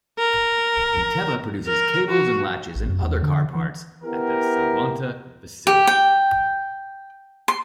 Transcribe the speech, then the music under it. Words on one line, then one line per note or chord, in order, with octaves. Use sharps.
Inteva produces cables and latches and other car parts at the Salonta facility.
A#4
A#4
F#4
A1
F#2
E2
D3
E3
B3 E4 G4 A#4
G4
G5
C6